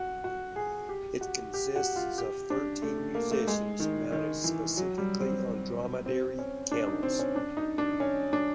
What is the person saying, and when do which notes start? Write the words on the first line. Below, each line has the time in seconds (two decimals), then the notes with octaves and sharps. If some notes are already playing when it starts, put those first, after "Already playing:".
It consists of thirteen musicians mounted specifically on Dromedary camels.
Already playing: F#4
0.24 F#4
0.56 G#4
0.89 G4
1.21 F#4
1.54 G4
1.76 F#4
1.96 F4
2.18 G4
2.50 D4
2.82 A3
3.15 A#3
3.31 A3
3.47 G#3
3.80 D#3
4.12 D#3
4.44 E3
4.77 F#3
4.98 G3
5.20 C4
6.06 C4
6.39 C#4
6.71 D4
6.88 D#4
7.03 C4
7.19 C#4
7.36 D4
7.57 D#4
7.78 D4
8.00 C#4
8.33 D4